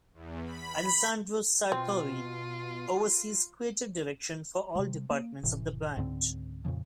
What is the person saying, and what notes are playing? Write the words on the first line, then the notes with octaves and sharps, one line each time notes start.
Alessandro Sartori oversees creative direction for all departments of the brand.
E2
B5
B2 C4 F4
C3 G3
A#3
F1 A2 C3 E3
C#2 G#2 D3 C4
F2 A#2 C#3 F3